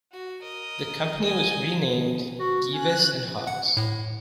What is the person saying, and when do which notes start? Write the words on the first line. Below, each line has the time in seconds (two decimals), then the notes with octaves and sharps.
The company was renamed Gieves and Hawkes.
0.12 F#4
0.42 A#4 D#5
1.23 D#5 G#5
2.40 F#4
2.73 C#4 F#6
3.47 F#5
3.77 A2